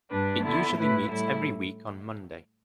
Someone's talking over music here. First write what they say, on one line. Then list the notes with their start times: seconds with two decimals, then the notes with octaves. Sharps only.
It usually meets every week on Monday.
0.10 G2 G3 D4 B4
0.43 D3 B3 E4 A4
0.76 A2 A3 E4 B4
1.09 A2 G3 E4 A4